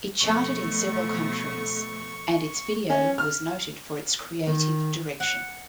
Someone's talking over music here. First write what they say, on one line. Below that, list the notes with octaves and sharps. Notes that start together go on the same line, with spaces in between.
It charted in several countries and its video was noted for its creative direction.
B2 F3 A3 C#6
C#4
F6
D#3
F#5